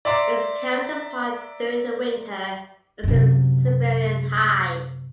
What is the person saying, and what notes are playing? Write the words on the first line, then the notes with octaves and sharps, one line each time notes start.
Its counterpart during the winter is the Siberian High.
D5 E5 A#5 C6 D6
F#2 C3